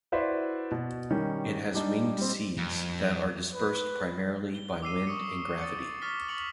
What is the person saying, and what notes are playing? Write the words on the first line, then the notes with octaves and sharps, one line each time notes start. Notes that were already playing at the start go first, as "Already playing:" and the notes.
It has winged seeds that are dispersed primarily by wind and gravity.
E4 F#4 B4 C5 D5 E5
B2
D#3 G3 C#4
G3 D4 D#4
G3 C4
F2
B4
G7
D6 E6 C7 D#7
C#6 D#6 C#7
D#6 A6 C#7
C#6 D6 F6 A6 B6 G7
C#6 C#7 F7 F#7